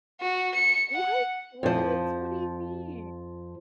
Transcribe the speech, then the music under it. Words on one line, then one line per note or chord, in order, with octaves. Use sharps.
What? What? What do you mean?
F#4
C#7
F#5
F2 F3